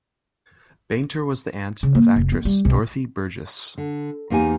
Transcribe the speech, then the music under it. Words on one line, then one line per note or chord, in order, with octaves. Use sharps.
Bainter was the aunt of actress Dorothy Burgess.
C#3
A#3
F1
B3
G3
B1
D3
E2 A#3 D#4 G4 G#5